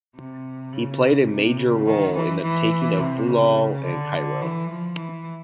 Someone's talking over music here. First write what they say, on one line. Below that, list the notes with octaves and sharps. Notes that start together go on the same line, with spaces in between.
He played a major role in the taking of Bulal and Cairo.
C3
C#3
C3
C#3
D#3
E3
E3
C3
C#3
D3
E3
F3
E3